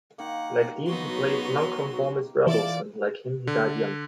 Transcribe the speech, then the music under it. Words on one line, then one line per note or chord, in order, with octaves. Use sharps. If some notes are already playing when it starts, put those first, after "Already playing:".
Like Dean, he played nonconformist rebels, and like him he died young.
D#3 A#3 F#5
F#3 B3 D#4 F#4 C6
E3 F4 D5 D6 A6
D3